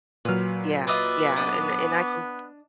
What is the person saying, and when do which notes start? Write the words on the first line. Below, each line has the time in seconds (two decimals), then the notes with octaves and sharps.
Yeah, yeah, and and I can
0.25 A#2 F#3 B4 F6
0.87 F4 B4 D#5 E5 D6
1.36 B3 D4 D#5